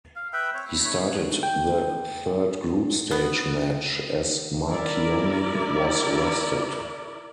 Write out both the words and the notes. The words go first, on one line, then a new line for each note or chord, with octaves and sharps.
He started the third group stage match, as Marchionni was rested.
F5
B4 E5 G5 B5
C4 C5 C#5
B5
A3 C#5 B5
G5
B3
E4 A#4 D5